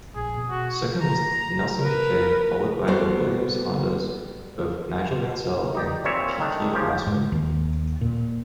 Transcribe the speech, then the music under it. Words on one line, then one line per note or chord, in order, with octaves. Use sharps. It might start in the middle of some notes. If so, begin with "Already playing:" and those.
Second was Nelson Piquet, followed by the Williams-Hondas of Nigel Mansell and Keke Rosberg.
A#1 G#4
B2
F#4
A#5
A#4 B4
G3 B3 F#4 A4 C5
D#4 G4 D5
A#2 G3 C4 C#5 E5
D#3 A3 D4
C#3 F3 G4
G#2
D#2
A#2